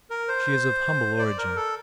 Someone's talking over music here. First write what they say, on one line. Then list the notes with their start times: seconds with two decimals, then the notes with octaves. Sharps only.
She is of humble origin.
0.10 A#4
0.28 C5
1.19 D5
1.38 A#4
1.56 A4